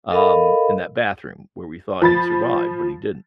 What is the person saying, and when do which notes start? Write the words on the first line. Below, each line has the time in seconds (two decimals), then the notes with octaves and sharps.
um, in that bathroom where we thought he'd survived, but he didn't,
0.11 A4 A#4 D#5 F5 B5
2.02 F3 B5 A6